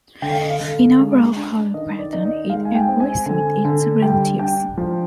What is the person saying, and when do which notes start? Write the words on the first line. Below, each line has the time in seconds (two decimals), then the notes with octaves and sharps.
In overall color pattern, it agrees with its relatives.
0.22 D3 G5
0.32 F5
0.41 D#5
0.50 F5
0.60 D3
0.98 G#3
1.36 D4
1.74 D#3 D#5
1.99 D5
2.13 D#4
2.25 D#5
2.50 G#3 F5
2.65 G#5
2.75 G5
2.88 C4
3.00 G#5
3.26 D3 G#5
3.65 D3
4.02 G3 G5
4.39 D4 G5
4.78 F3